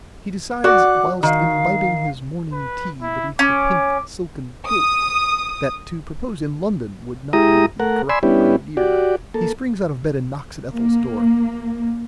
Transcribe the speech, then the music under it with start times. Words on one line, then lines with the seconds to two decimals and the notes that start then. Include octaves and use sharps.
He decides "whilst imbibing his morning tea beneath the pink silken quilt," that to propose in London would not be the "correct idear." He springs out of bed and knocks at Ethel's door.
0.64 F#4 D5 F#5 D6 F#6
1.23 D#3 F5
2.52 B4
3.02 E4
3.39 C#4 D6
4.68 D#6
7.33 G#3 E4 G4 A#5 D#6
7.80 A3 A#4 F#5
8.09 D5 G#5 B5 C6 E6
8.23 G3 B3 C#4 D4 E4 G4
8.77 F#4 G4 D5
9.34 A#3 A4
10.71 A#3